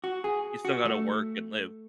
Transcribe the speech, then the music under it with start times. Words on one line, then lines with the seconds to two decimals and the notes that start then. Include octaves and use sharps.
you still gotta work and live.
0.04 F#4
0.24 G#4
0.65 F#4
0.85 A3